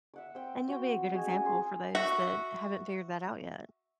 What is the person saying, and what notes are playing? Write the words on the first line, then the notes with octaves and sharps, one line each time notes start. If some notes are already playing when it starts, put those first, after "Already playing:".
And you'll be a good example for those that haven't figured that out yet.
E5 F#5 D6
C4 G5
F#4 G5
G#3 F#4 G#4 G#5
C#4
G#4 C6
F#4 E5